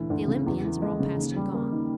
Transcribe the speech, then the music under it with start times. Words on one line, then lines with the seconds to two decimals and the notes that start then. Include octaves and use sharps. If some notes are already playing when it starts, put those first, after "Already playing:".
The Olympians are all past and gone.
Already playing: D2 A#2 E3
0.10 D2
0.28 C#3
0.46 E2
0.64 E3
0.82 G#3
1.00 C#3
1.18 D#2
1.36 G3
1.54 A#3
1.72 D#3